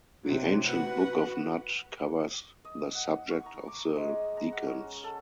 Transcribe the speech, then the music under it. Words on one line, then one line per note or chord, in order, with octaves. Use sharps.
The ancient Book of Nut, covers the subject of the decans.
C3 F#3
F#4 B4 F#5
D#5
F#5
C#6
A#5
D6
G#3
A#5
F#5
C#4
A4